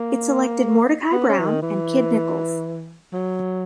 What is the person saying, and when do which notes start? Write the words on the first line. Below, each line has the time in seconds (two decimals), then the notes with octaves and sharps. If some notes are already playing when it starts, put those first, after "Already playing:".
It selected Mordecai Brown and Kid Nichols.
Already playing: A#3
1.12 B3
1.29 C#4
1.39 E3
1.46 D#3
1.62 E3
3.13 F#3